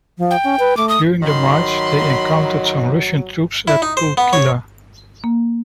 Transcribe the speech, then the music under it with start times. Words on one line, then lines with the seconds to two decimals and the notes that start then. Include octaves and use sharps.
During the march they encountered some Russian troops at Pulkkila.
0.18 F3
0.31 G5
0.44 C#4
0.59 B4
0.77 A3 D6
0.89 D#6
1.22 D#3 F#3 B5 C6
3.68 E4
3.82 D#4
3.97 C5
4.17 B3
4.33 C#5
5.24 A#3